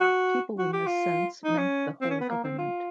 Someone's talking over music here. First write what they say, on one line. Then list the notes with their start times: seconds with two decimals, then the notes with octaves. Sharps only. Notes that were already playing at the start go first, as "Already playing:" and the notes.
People in this sense meant the whole government.
0.01 F#4
0.59 F#4
0.73 G4
0.87 F4
1.44 D#4
1.58 C#4
2.01 C4
2.10 C#4
2.20 B3
2.30 A#3
2.44 C4
2.58 F4